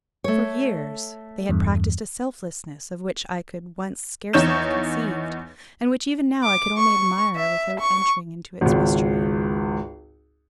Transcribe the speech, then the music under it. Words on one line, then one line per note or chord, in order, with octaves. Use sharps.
For years they had practiced a selflessness of which I could once scarcely have conceived, and which even now I could only admire without entering into its mystery.
A3 C#5
E2 G2
E2 D#4 C#5 G6 E7
D6
C#6
E5
C#6
G#1 C#2